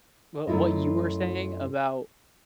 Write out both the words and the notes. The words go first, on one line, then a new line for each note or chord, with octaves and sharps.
wh what you were saying about
F#2 A3 E4 F4 D#5